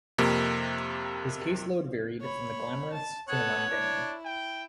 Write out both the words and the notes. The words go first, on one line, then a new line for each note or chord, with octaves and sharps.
His case load varied from the glamorous to the mundane.
F2 C3 A#3
C#5 B5
A5
B3 A4 C#5 F#6
D4 E4
G5